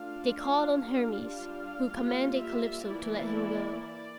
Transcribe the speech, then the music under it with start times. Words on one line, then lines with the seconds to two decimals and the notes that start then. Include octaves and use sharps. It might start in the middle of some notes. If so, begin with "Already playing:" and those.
They called on Hermes, who commanded Calypso to let him go.
Already playing: A3 D4 F4 F5
0.34 F5
0.85 G3 D4 F4
1.35 F5
1.86 G3 A#3 F4
2.37 E5
2.87 E3 A#3 E4 D5
3.89 D5